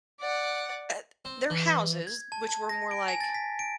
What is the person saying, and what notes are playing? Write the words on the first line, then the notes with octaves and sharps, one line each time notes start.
uh their houses, which were more like
D5 F#5
C4
E3
G#6
A5
A5
A#6
D7
G#5
A6
B6
D7